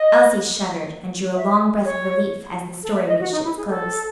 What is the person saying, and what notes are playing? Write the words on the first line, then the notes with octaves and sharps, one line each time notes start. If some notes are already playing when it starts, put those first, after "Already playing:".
Elsie shuddered, and drew a long breath of relief, as the story reached its close.
Already playing: D#5
E5
C#5
A4
E5
D#5
F#4
D#4
E4
G#4
A4